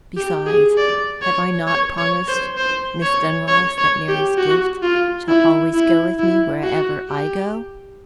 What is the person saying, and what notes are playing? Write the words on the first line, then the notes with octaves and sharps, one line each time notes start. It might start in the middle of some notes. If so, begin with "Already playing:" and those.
Besides, have I not promised Miss Dunross that Mary's gift shall always go with me wherever I go?
G4
G#4
D5
C#5
C#5
C#5
C5
C5
C#5
C#5
C#5
G4
F#4
F4
E4
E4
E4
F#4
G4